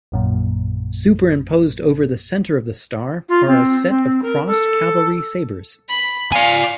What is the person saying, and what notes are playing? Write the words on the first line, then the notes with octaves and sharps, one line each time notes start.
Superimposed over the center of the star are a set of crossed cavalry sabers.
A#1 F#2 A#2
F4
C4
C4
A#4
A4
B5
D5 F5 G#5